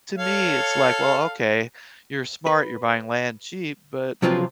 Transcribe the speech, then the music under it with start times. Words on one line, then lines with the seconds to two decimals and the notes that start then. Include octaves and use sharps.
To me, it's like, "Well, okay. You're smart, you're buying land cheap, but you're
0.18 A4 C#5 F5
2.47 B4
4.22 C3 F3 F#3 C4 F4 B4